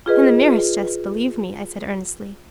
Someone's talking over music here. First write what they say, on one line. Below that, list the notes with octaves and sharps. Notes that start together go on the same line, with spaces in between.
"In the merest jest, believe me!" I said earnestly.
F4 G#4 B4 D#5